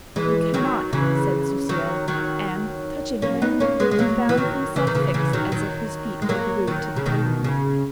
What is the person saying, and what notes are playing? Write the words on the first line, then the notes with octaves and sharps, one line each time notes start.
"You cannot," said Soussio; and, touching him, he found himself fixed as if his feet were glued to the pavement.
E3 G#3
D#3 F#3
C#3 E3
D#3 F#3
D#3 F#3
A#3 C#4
B3 D#4
A#3 C#4
G#3 B3
G#3
F#3 A#3
E3
D#3 F#3
C#3 E3
D#3
C#3 E3
C#3 E3
D#3 F#3
D#3 F#3
G#3
F#3 A#3
D#3 F#3
C#3
B2 D#3
C#3